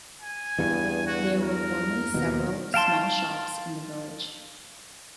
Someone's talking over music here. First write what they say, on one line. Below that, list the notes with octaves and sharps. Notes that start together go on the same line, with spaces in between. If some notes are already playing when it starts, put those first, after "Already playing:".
There were formerly several small shops in the village.
G#5
E2 G2
F#4
A#4
D#2 B2
F5 G5 A5 C6